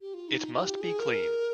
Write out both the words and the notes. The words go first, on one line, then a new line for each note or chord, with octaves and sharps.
It must be clean!
G4
F4
D#4
F4
G4
G#4
A#4